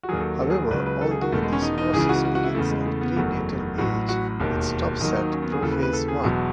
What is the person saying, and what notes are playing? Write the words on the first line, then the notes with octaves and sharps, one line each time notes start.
However, although this process begins at prenatal age, it stops at prophase one.
F#4
D#2 D#3 F#3 G#4
A4
A4
G#4
C#2 C#3 F#3 B4
B4
A4
G#4
F#4
E1 E2 D#3 A3
G#3
C#4
D#4
D#4
C#2 C#3 E3 G#4
F#4
F#4
F#4
E4
E2 C#3 E3 A3
G#3
A3
B3
F#1 E2 D#3 F#3 A3
A1 A2 F#3 F#4
F#4
E1 D#2 D#3
D#2 D#3 F#3 D#4
D#4
C#4
B3
G#4
D#2 C#3 E3 A4
B4
B4
A4
G#4
E1 E2 B2 F#3